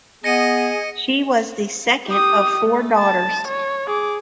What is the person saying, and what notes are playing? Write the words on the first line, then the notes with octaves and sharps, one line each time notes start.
She was the second of four daughters.
B3 G#4 D#5 A#6 C#7 D#7
G4 D#6
A3
A5
C#5
G#4 D6